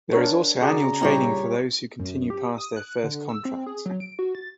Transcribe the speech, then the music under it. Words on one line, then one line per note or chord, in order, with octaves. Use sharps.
There is also annual training for those who continue past their first contract.
D4 A#4 C#5
C#3 F#4 G#4 D5 A#5
A#2 G3 C4 E4 G4 C#5
F#2
G4
D#6
F#6
D3
E6
C4
G#4
F#3
D7
F#4
A6